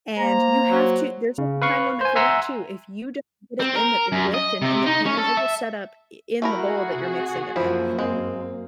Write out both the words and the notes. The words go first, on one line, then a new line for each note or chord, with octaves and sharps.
and you have to there's, like, a time limit for that, too. If you don't get it in the w whipped and in the pan, it will set up i in the bowl that you're mixing it in.
A#3 C5 A#5
F#3
C#3
B4 F5 C#6
C5 G#5
E5 F#5 G#5 A#5 C6 E6
C4
A#4
F#2
D#5
C3
D#4
C#4
A4
E5
A3 E4 F#4 G#4 A#4
C3
F#2 F3 A#3 E4
G#3 C4